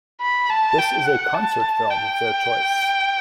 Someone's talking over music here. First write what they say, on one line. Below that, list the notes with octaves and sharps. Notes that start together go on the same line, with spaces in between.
This is a concert film of their choice.
B5
A5
G5
F#5
A5
G5